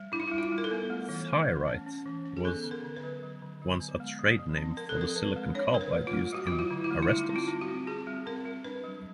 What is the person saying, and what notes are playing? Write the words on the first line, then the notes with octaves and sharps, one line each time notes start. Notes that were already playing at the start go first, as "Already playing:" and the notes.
"Thyrite" was once a trade name for the silicon carbide used in arresters.
Already playing: G3
D4 E4
D#4
E4
G3
F4
G3
A#4
A4
B3
A3
E3
A3
A3
C#4
C#4
E3
C#4
G#4
B3 A4
D3
A#4
D3
B4
F#3
F#3
D3
F#3
B3
G#3
F3
F3
C4
C4 A#4
A4
F3 A#4
C4 B4
G#3
D4 C#5
F#3 A#4
B4
A3
F4
A3
F#3 F#4
F4
F#3
E4
D3
E4
A3
D#4
G3 E4
C4
F4
C4
F#4
C4
C4 G#4
G3
C4 A#4
G3
D4 B4
F#3